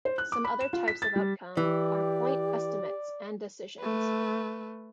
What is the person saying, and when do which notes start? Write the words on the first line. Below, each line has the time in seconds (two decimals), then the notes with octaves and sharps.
Some other types of outcome are point estimates and decisions.
0.05 C5
0.18 F#6
0.32 D6
0.45 B5
0.60 E7
0.73 F4
0.88 B6
1.02 A6
1.16 G3
1.57 E3 G4 D5
3.80 A3 B4